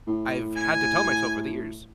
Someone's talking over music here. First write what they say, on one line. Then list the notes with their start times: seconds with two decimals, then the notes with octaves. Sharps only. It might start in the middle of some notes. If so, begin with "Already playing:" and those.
I've had to tell myself over the years,
0.07 A2
0.57 G#5